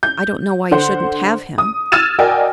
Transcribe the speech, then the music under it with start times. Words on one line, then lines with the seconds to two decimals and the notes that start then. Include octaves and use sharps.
I don't know why you shouldn't have him.
0.03 G6
0.71 D3 C5 F#5
1.58 D#6
1.92 E6 F6 G#6 A6 D#7 E7
2.19 F#4 A#4 D5 D#5 G5 G#5